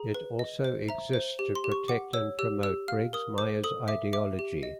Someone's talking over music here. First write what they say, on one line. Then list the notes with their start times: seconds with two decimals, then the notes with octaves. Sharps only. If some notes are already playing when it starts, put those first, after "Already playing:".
It also exists to protect and promote Briggs Myers' ideology.
Already playing: G#4 A#5
0.14 B4
0.39 D#5
0.64 C5
0.89 E5 A#5
1.13 C5
1.39 G4
1.55 C6
1.64 G4
1.72 C#6
1.88 F#5 D6
2.13 C#5 E6
2.39 G4 E6
2.63 G4 E6
2.88 F5 F6
3.13 A#4 D#6
3.38 C5 D6
3.64 A4 D#6
3.88 E5 D6
4.13 E5 D6
4.39 G4
4.63 D#5